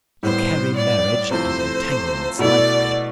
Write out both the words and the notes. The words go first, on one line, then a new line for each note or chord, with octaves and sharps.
You carry marriage and entanglements lightly.
A2 G3 B3 E4 C5
D5
C3 F3 A3 E4 A4 C5
B2 A3 E4 D5